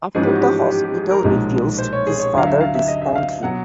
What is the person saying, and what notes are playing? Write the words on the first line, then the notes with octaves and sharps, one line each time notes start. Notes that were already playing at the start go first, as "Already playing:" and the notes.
After the hospital refused, his father disowned him.
A1 G#2 F3 G#3 G#4
G4
F#4
G4
G4
G4
G#4
A#4
B1 A#2 F3 G#3
C5
C#5
G#4
C#5
D2 D3 F#3 F5
E5
F5
E5
D#5
E5
F5
B2 F#3 F#5